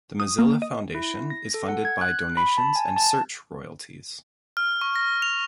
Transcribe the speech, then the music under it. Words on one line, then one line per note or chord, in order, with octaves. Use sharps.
The Mozilla Foundation is funded by donations and "search royalties".
D#6
A#3
D#5
E4
A#6
A4
F#5
G#6
F#6
B5
A5
G#5
A5
F6
C#6
A#6
F7